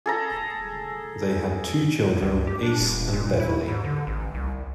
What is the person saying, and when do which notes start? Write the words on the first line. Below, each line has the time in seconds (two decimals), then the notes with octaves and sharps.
They had two children, Ace and Beverly.
0.06 G#4 A4 A#5
2.23 C#2
2.47 G4
2.63 D4
2.80 D#1
3.13 A#2
3.40 E4
3.68 G#2
3.84 D3
4.07 A1
4.34 C2